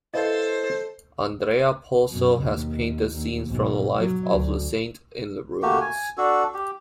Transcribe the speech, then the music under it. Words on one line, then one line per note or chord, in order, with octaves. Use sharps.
Andrea Pozzo has painted scenes from the life of the saint in the rooms.
E4 A4 B4 C5 D#5 F5
F#2 B2
D#2
D#2
B1 G#2
F#3
D2
A3 A#3 F#4 G4
G#5
D4 F#4 A4
G4